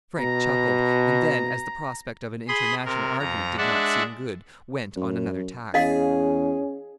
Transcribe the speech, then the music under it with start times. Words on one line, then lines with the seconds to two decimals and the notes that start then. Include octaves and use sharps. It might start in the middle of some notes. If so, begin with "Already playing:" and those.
Frank chuckled; and then, as the prospect of an international argument did not seem good, went on another tack.
0.19 B2 A#5
2.48 G#4 B5 C6 D#6
2.85 C3 A#4
3.19 F2 A#5
3.58 G#3 D4 D5 E5 F#5
4.96 F#2
5.74 E2 C#4 G#4 D#5 F5